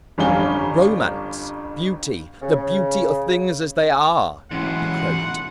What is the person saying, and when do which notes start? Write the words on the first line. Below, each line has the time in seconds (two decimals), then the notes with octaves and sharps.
"Romance--Beauty--the Beauty of things as they are!" he croaked.
0.18 G1 F2 G3 C#4 F5 G7
2.42 C#3
4.51 G#2 B2 E3 C#4 E4 F#5 C6